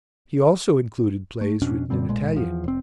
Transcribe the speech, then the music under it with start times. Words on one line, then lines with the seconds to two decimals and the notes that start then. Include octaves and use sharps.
He also included plays written in Italian.
1.41 A3
1.62 F2 B2 C#4 D4
1.90 F#2 D3 G3 C4
2.09 B1 A#2 G#3
2.36 E2 F3
2.64 F1 C4